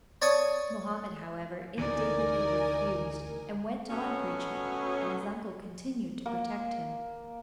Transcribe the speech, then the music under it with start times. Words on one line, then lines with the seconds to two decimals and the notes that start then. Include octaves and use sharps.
Mohammed, however, indignantly refused, and went on preaching, and his uncle continued to protect him.
0.22 C#5 D5 A5 C#6 D#6
1.78 D2 C#3 E3 D#4 A#4 D5 G#5
3.90 B2 F#3 A3 B3 C#4
6.26 A#3